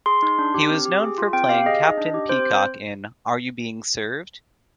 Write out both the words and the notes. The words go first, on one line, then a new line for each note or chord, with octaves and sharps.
He was known for playing Captain Peacock in Are You Being Served?
G#4 C6
D#4
D4
G4
C4
G4
G#4
F4
C4 G5
G4 F5
G#4 D#5
D#4
D4
G4
C4 C5